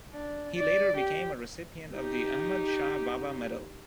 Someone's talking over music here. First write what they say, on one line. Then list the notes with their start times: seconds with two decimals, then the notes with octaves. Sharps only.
He later became a recipient of the Ahmad Shah Baba Medal.
0.13 D4
0.55 D5
0.96 G4
1.94 D#4 G4